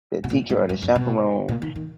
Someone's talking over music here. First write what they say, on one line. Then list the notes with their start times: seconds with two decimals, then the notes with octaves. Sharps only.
the teacher or the chaperone
0.24 B2
0.30 A#2
0.49 G#2
0.69 F#2
0.82 F#2
0.95 B2
1.49 A#2
1.62 D#3
1.76 D#3